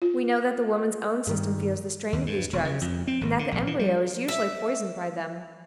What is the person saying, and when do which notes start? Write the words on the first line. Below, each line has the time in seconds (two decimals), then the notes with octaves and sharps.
We know that the woman's own system feels the strain of these drugs and that the embryo is usually poisoned by them.
0.02 F4
1.27 G2 D#3 G3
2.13 D#2
2.26 G2
2.53 E1
2.65 C#3
2.81 F2
3.07 C4
3.21 G#1
3.39 D3
3.52 A#1
3.67 E3
3.79 G3
4.28 E5